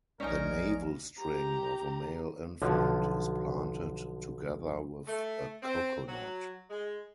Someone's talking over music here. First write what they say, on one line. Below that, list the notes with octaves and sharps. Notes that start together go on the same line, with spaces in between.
The navel-string of a male infant is planted together with a coconut.
A#1 C#4 D#4 A#4 D5 G#5
G4 A#5
B1 D3 F3
A3
C4
F#3
G#3